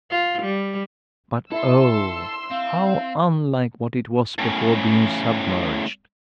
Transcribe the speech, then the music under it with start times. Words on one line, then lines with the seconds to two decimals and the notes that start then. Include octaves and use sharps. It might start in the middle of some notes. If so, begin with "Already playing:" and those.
But, oh! how unlike what it was before being submerged!
0.11 F4
0.43 G3
1.52 E4 A4 C6 E6
2.51 C4 F5
4.39 A2 C#3